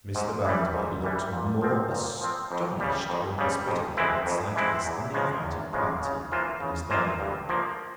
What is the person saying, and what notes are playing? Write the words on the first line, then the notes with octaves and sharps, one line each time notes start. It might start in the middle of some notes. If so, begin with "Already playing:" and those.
Mr. Bounderby looked more astonished than hospitable, at sight of this uninvited party in his dining-room.
G#2
E3 G3
G#2
E3 G3
A#2
F3 C4
A#2
F3 C4
F2
C#3 G3
F2
C#3 G3
F2
E3 G#3 C4 E4
F2
E3 G#3 C4 E4
E2
C#3 F3 G#3
E2
C#3 F3 G#3
C#3
E3 A#3 F4 C5
C#3
E3 A#3 F4 C5
G2
F3 A#3